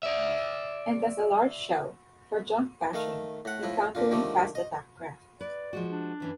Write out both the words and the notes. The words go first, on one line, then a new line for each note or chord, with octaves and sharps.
And as a 'large shell' for junk bashing and countering fast attack craft.
D5 E5
D#3 A3 F5
A2 F#5
A2 F3 E4
A#2 D3 F4
D3 D#3 F3 G3 A3
D#5
B4 D5
F3 G#3 F#4
D4
G2 E3 C#4